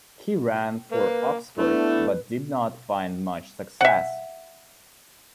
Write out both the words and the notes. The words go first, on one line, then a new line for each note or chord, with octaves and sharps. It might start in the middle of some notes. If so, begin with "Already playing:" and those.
He ran for Oxford, but did not find much success.
A#3 B4
A3 B3 D4 E4 B4
E5 F#5